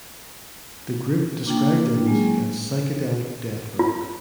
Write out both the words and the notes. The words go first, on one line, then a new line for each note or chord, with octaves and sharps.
The group described their music as "Psychedelic Death Rock".
A#3 D4 F4 G5
F#3 G#3 A#3 C#4 G#4
F4